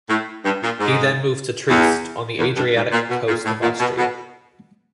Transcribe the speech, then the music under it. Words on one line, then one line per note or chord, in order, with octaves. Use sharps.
He then moved to Trieste, on the Adriatic coast of Austria.
A2
G2
A#2
G#2
E2
E2
G2
G#2
A#2
B2
A#2
A2
A#2
B2
B2